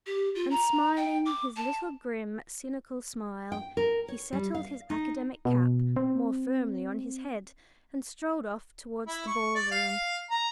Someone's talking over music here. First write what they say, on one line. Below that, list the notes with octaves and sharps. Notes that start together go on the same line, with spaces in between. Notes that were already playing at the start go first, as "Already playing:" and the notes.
And smiling his little grim, cynical smile, he settled his academic cap more firmly on his head and strolled off towards the ballroom.
G4
F4
A#5
G5
D6
A5
G5
A#4
C#5
G3
F5
D#4
B2
C4
E4
C#6
D5
F5
F5
A#5